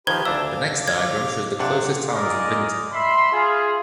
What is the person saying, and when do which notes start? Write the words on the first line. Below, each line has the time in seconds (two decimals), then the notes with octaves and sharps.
The next diagram shows the closest towns to Vinton.
0.07 D#3 F3 G4 B4 C5 G#6 G7
0.25 D2 D4 E5 F5 D6 E6
0.88 G#6
1.60 C3 D4 F5 F#5 D6
2.12 D#4 F4 G#4 A#4 D5 D#5
2.93 E5 B5 C6
3.32 F4 G#4